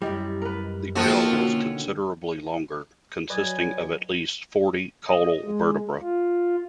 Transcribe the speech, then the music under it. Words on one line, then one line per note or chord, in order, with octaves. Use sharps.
The tail was considerably longer, consisting of at least forty caudal vertebrae.
F#2 G3 E4 G4 D#5
A#4 B4
D3 D#3 F3 A#3 F4 F#4 C#7
B2 D3 C#4 F#5
F#3 B4 D5 D#5 G#5
D#5
G#3
F4